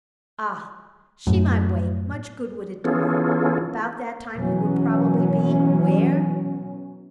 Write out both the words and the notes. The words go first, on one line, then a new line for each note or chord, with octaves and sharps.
Ah! she might wait--much good would it do her; about that time he would probably be--where?
F#2 A2
E3 B3 C#4 F4 G#4 A4
B2 E3 F#3 C#4